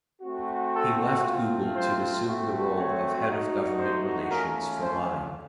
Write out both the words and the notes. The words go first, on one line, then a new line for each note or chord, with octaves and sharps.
He left Google to assume the role of head of government relations for Lime.
A3 C4 F#4
A4
A3 C4 F4
C5
A3 C4 F#4
C#5
A3 D#4 F#4
C5
A3 C#4 F4 A#4
C5